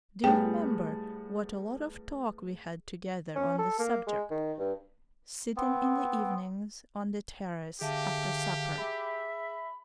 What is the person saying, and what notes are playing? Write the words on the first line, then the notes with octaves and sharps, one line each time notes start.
Do you remember what a lot of talk we had together on this subject, sitting in the evenings on the terrace after supper?
A2 G3 B3 G#4 G5
C#4
A4
A#3
G#3
D#3
G2
B3 C4
D3 G4 G#4 E5 F5 A5
G#4 E5 B5